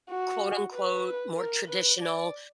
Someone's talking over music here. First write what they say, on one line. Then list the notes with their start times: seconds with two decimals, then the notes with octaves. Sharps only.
quote, unquote, more traditional,
0.10 F#4
0.73 B4
1.37 A#4
1.69 B4
2.01 D5